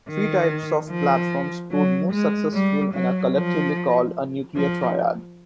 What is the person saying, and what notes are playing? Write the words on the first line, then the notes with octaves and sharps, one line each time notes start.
Three types of platforms proved most successful and are collectively called a "nuclear triad".
D#3
F3
F#3
G#3
G3
F#3
F3
F3